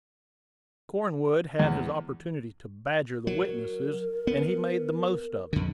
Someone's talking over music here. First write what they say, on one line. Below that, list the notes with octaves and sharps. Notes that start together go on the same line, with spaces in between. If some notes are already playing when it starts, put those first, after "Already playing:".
Cornwood had his opportunity to badger the witnesses, and he made the most of it.
E2
F#3 A#4
B3
F2 D3